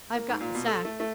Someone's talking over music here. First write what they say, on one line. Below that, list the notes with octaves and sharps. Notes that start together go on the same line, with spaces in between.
I've got the sack.
A#3
G#2
A#2
B2
A4
A3
A3